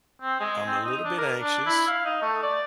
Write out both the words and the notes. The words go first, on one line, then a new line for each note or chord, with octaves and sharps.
I'm a little bit anxious.
C4
G#3
C4
D#4
D4
A#4
D4
E4
F5
D#4
A3
D5